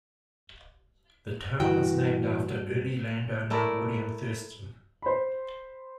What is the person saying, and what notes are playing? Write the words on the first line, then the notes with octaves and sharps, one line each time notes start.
The town is named after early landowner William Thurston.
G2 E3 F#4 G5
A3 E4 A#4 D5
C5 B5